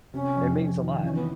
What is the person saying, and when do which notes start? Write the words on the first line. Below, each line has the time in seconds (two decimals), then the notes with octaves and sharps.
It means a lot.
0.13 C3 C#4
0.36 F2
0.58 F2
0.80 D#3
1.03 E3 C#4
1.15 B3